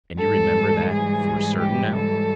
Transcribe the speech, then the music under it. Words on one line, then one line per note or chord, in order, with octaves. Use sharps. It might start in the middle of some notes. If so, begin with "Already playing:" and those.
"And you remember that for certain now?"
G#2 E3 G3 A4
G#4
G4
A4